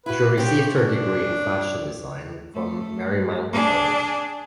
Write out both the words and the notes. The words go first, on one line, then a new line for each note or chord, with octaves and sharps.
She received her degree in fashion design from Marymount College.
E4 F#4 B4
C3 F3 C#4 G4
D4
A3
D4 G#4